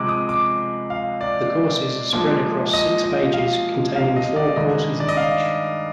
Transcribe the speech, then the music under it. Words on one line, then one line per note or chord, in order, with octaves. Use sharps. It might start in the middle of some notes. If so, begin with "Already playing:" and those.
The courses are spread across six pages, containing four courses each.
Already playing: C3 F3 G#3 D6
D#6
D6
F5
D5
A#2 F3 G#3
D#5
D#5
F5
F5
D#5
D5
G2 D#3 G#3 D#5
D5
D#5
F5